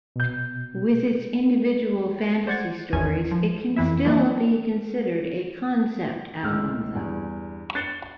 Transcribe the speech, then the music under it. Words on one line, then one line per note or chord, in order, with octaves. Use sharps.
With its individual fantasy stories, it can still be considered a concept album, though.
B2 G6
C5 D5 F#5 G#6 A6
G#1 E2 C#4 G#5 G#6
F3
F2 E3 E4 E5
E3 F#3 A#3 C4 E4
C#2 A2 G#3 E6 F6
E2 G2
F#6 A6 C7 C#7 G7